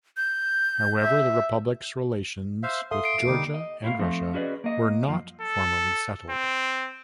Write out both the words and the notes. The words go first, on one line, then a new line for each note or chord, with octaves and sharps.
However the republic's relations with Georgia and Russia were not formally settled.
G6
E5
C5 E5 F5
A4 E5 F5 C6 D#6
C7 D7
D3 G3 A#3 D#4 D6
D#5
A2 E4 F4 B4 F5
F3 A3 C4
C#4 F#4 G#4 B4 D5 D#5
A#3 D#5
F#2 F3
A4
C4